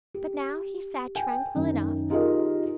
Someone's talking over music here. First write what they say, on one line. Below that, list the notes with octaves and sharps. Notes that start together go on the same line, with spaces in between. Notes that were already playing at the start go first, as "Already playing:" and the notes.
But now he sat tranquil enough.
G4
G5 G#5
F#2 D#3
D#4 F4 G4 G#4 A#4 D#5